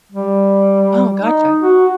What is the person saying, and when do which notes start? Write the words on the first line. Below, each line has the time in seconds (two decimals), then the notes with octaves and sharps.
Oh, gotcha.
0.12 G3
1.20 D#4
1.62 F#4